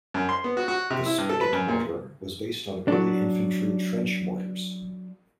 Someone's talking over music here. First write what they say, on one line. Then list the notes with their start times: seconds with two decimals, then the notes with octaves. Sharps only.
The spigot mortar was based on early infantry trench mortars.
0.14 F#2
0.29 C6
0.44 B3
0.57 F#4
0.68 F#4
0.91 C3
1.06 E4
1.18 G2
1.30 A4
1.41 B4
1.53 F#2
1.68 A#2
2.88 F#3 D4